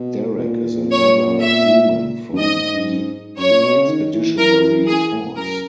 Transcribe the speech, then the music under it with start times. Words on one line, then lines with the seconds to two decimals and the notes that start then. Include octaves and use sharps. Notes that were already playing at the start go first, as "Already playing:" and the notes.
Derek is another human from the expeditionary force.
Already playing: B2
0.37 B2
0.43 A#2
0.91 C#5
1.41 E5
2.33 F#2
2.39 G#2 D#5
3.38 F#2 C#5
3.51 A#2
3.64 B2
3.76 C#3
3.89 D#3
4.13 E3
4.38 E3 A#4
4.87 G#4
5.36 F#2 A#4